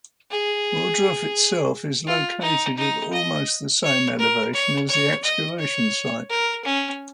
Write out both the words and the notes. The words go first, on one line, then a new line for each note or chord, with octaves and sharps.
Ohrdruf itself is located at almost the same elevation as the excavation site.
G#4
F4
D#4
D#4
D#5
C#5
A#4
C#5
C#5
D#5
C#5
A#4
C#4